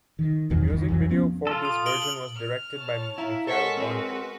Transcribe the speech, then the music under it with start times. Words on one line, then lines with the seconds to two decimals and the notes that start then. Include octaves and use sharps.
The music video for this version was directed by Michel Gondry.
0.19 D#3
0.50 F#1 E2 D#3 F#3
0.68 F1 C2 D#3
0.88 F2 E3 F#3
1.09 F3 B3 C#4
1.47 F4 A4
1.65 D#6
1.86 D7 F#7 G7
2.02 F#7
2.36 F6
2.77 C#5 A5
3.18 E4 F5 A#5
3.47 G#3 A4 A#4 C#5 F#5 C#6 B6
3.77 C4 F#4 B4